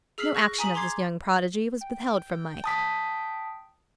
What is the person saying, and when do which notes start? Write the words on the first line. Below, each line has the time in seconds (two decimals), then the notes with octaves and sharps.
No action of this young prodigy was withheld from Mike.
0.18 G#4 E6 F6 B6 C7 F#7
0.35 C#6 F#6 A#6
0.58 G#5 A#5 D#6 B6 F#7
0.74 A#5 C6 D6 G#6 C7
1.82 G5
2.64 A5 D#6 B6